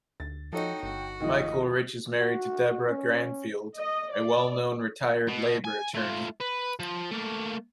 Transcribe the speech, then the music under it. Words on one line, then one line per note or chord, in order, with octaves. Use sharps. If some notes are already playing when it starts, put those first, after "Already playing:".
Michael Rich is married to Debra Granfield, a well-known retired labor attorney.
D2 A6
F3 D#4 F#4 A4 C#5 D#5 G5
G1 F#4
D#2 A2 F3 D#5
F#4
C#4
D#5
D5
B2
G#5
A3 F4
B4
F3
A3 A#3